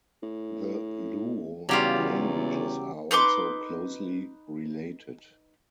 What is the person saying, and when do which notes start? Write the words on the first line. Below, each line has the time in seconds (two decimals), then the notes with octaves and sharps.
The Luo languages are also closely related.
0.23 A2
1.69 E2 C#3 F#3 G3 F4 G4
3.11 D#4 B4 C6 D6